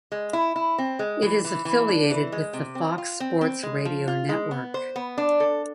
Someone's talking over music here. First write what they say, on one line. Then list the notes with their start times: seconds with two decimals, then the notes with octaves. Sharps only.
It is affiliated with the Fox Sports Radio network.
0.12 G#3
0.33 E4
0.56 E4
0.78 C4
0.99 G#3
1.22 E3
1.44 E3
1.65 E3
1.88 D4
2.10 E3
2.32 G#3
2.53 C3
2.75 C4
2.98 F4
3.20 C4
3.41 C4
3.63 G#3
3.85 F3
4.08 F4
4.29 G#3
4.51 B3
4.74 C5
4.96 B3
5.18 D4
5.40 A4